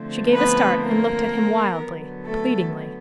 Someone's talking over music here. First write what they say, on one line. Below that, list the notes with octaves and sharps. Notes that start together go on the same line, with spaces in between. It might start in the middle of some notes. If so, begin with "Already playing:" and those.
She gave a start and looked at him wildly, pleadingly.
Already playing: D3 F3 A3 C4
B3 B4
A#3 A#4
D3 F#3 B3
A3 A4